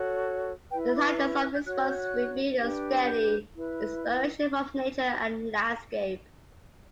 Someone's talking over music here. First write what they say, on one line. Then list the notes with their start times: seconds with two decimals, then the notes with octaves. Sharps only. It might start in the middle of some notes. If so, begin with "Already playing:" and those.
The titles of his works reveal a steady inspiration from nature and landscape.
Already playing: F#4 A4 C#5
0.70 B4 G5
0.73 E4
0.86 B5
0.97 D6
1.02 C#6
1.18 D6
1.42 F#6
1.53 G6
1.65 F#4 C#5 F#6
1.89 G6
1.96 F#6
2.59 D4 G4 B4
3.07 G6
3.54 E4 B4